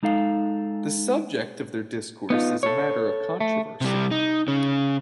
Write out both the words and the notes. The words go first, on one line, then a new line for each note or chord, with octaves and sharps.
The subject of their discourse is a matter of controversy.
G#3 D#4 A4 F5
B3 D#4 F4
A4 C#5
A3
C3 G3
D#4
C#3 C#4